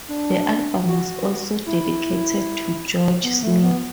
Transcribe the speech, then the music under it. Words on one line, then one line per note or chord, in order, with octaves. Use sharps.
The album was also dedicated to George Smith.
D4
F#4
E4
B3
A3
B3